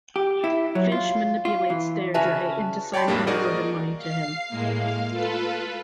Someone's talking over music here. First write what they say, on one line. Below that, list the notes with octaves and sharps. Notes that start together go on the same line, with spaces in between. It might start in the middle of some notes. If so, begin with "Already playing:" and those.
Finch manipulates Deirdre into signing over her money to him.
G4
E4
F#3
F4
F4
E3
C#3 C#4 F#4 B4 E5 A5
C#5 D5 G5 A5 B5 C6
F2 A2 G3 A#3 D4
D#4 F#4 G#4 A#4 D5 D#5
F5 C7
A2 G#3 A#3
F5
F4 A4 B4